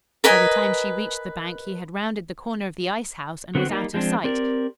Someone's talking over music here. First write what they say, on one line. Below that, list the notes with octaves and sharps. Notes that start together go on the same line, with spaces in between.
By the time she reached the bank he had rounded the corner of the ice house and was out of sight.
A#4 B4 D#5 G#5
D3 B3 C4 E4 F#4
G3 A#3 D#4
F3 G#3 C4 D4
C4 G4 A#4 D5